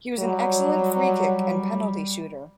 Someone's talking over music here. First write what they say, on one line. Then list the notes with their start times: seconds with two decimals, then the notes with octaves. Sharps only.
He was an excellent free kick and penalty shooter.
0.19 F#3 G3